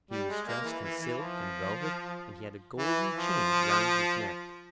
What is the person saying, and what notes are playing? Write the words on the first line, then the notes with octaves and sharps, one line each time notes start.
He was dressed in silk and velvet, and he had a golden chain round his neck.
G3
G#3
A#3
E3
E3
E3
F3
E3
F3